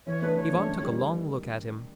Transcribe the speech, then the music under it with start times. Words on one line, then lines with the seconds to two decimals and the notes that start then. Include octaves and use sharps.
Ivan took a long look at him.
0.07 E3 C#5
0.22 A3 D4 B4
0.37 E3 C#5
0.52 A3 D4
0.67 F#2
0.83 D#3 G3